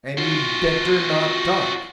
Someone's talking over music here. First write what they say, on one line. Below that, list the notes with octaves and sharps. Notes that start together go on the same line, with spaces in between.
And you'd better not talk.
F4 F#4